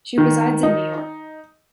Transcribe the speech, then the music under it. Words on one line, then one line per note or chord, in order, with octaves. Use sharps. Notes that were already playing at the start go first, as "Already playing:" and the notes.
She resides in New York.
D#3
D#4